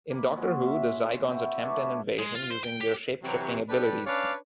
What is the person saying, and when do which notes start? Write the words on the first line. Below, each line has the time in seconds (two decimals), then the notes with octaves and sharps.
In "Doctor Who" the Zygons attempt an invasion using their shapeshifting abilities.
0.10 A#3 B5
0.37 A#2 F#3 G#3
0.64 C#4 E5 F5
1.27 C4 E4 F#4 C5
1.64 A3 D4 B4 C#5
2.19 G#3
2.35 F4
2.50 C5
2.64 G5
2.81 G4
3.24 C3 E3 F#3
3.69 D4 G4 A4 B4
4.06 C#4 D4 B4 C#5 D5 F5